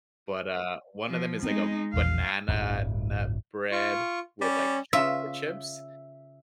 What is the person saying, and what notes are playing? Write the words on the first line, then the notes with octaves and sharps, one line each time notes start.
but, uh, one of them is, like, a banana nut bread with, like, chocolate chips,
F3
G#3 B3 C4 D#4
E1 A#1 E2 F5
D1 G1
F4 C#6
G3 C#4
C#3 F4 E5